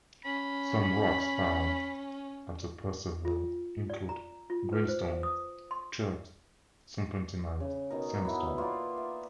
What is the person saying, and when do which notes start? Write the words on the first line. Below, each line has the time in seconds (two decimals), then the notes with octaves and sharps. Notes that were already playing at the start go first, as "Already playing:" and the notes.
Some rocks found at the preserve include: Greenstone, Chert, Serpentinite, Sandstone.
0.25 C#4 B5
3.25 F4
3.90 D5
4.09 A#5
4.50 F4
4.73 B4
4.88 C5
5.23 D#6
5.71 C6
7.60 C#3
7.90 B2 D#4 A#4
8.23 F#3 B3 E4
8.58 A#3 B3 F4 D5
8.98 E5